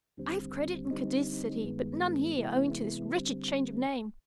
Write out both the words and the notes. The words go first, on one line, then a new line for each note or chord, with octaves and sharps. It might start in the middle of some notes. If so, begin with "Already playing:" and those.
'I have credit in Cadiz,' said he, 'but none here, owing to this wretched change of name.
D#2 D3 G3 C4
D3 G3 C4 D#4
G2 D#3 G#3 B3
C3 E3 G#3 B3 E4
D3 G3 C4